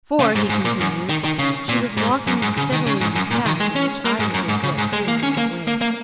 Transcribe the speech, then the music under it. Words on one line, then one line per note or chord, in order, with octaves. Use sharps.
"For," he continues, "she was walking steadily in the path in which I was as yet feeling my way."
C#3
G#2
G#2
A#2
F#2
D#3
D#3
C#3
A#2
G#2
F#2
G#2
C#3
D#3
C#3
G#2
F#2
A#2
D#3
G#3
C#4
A#3
G#2
F#2
G#2
C#3
G#2
G#3
A#3
C#4
A#3
A#3
A#3